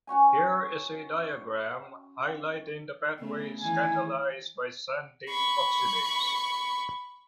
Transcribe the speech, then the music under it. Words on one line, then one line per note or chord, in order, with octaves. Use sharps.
Here is a diagram highlighting the pathways catalyzed by xanthine oxidase.
C#4 F#4 C#5 G#5
C#3 A3 B3
D#3 E3 E4 G#5
B5 C#6